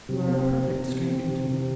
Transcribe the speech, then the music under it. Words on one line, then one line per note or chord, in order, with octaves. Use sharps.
"You are a perfect stranger to me."
C3
C4
C3
C3
C4
C4
C3
C3